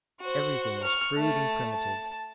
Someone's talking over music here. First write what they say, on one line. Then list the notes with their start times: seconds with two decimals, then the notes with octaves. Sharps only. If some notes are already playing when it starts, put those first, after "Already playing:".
Everything was crude and primitive.
0.21 F#4 C5
0.83 C#6 F6
1.17 A3 A5
1.71 A5